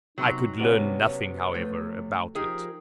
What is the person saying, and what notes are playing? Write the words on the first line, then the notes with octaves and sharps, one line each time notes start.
I could learn nothing, however, about it.
C3 F#3 B3 D#4 C6
D2 C3 B3 C#4
A#3 B4 C#5
F3 A3 G5
F3 D#4 G4 G#4 A#4